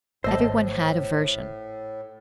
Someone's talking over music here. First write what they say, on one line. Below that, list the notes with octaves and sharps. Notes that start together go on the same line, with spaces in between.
Everyone had a version.
G#1 A2 A3 C5 D#5 A5 E6